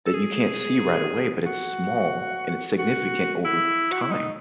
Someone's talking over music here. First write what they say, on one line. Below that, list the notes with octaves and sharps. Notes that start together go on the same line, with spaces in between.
that you can't see right away, but it's small and it's significant over time.
A4
G#4
F#4
F#4
E4
F#4
E4
D#4